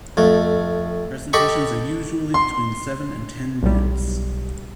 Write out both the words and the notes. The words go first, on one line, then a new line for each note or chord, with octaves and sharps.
Presentations are usually between seven and ten minutes.
F2 A3
G4 A4 D#5 B5 C#6
C6
B1 G3